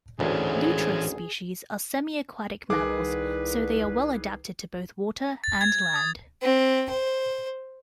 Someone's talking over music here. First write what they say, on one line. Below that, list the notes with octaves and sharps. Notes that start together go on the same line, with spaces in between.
"Lutra" species are semiaquatic mammals, so they are well-adapted to both water and land.
G#1 D2 E3 C#4 G#4
C2 D#3 G#4 B4 D6
A6
G#6
D#6
C4
C5